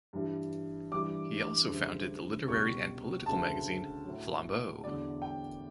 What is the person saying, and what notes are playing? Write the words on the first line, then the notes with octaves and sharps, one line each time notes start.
He also founded the literary and political magazine "Flambeau".
G2 E3 G3
G2 E3 G3 D6
D2 C#3 G3
C#2 B2 G3 C#6
D2 C#3 F#3 A5
A2 F#3
E2 D3 F#3 D5
G5